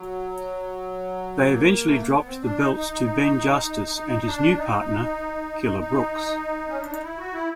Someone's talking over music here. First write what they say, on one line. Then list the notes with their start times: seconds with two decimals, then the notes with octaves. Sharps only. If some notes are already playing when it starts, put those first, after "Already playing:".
They eventually dropped the belts to Ben Justice and his new partner, Killer Brooks.
Already playing: F#3
1.50 A#3
1.88 A3
2.01 A#3
2.11 B3
2.26 C4
2.42 D4
2.58 D#4
2.73 D#4
3.95 D#4
4.26 D4
4.57 D#4
5.80 D#4
6.69 C#4
6.80 D4
6.91 D#4
7.03 E4
7.18 F#4
7.33 E4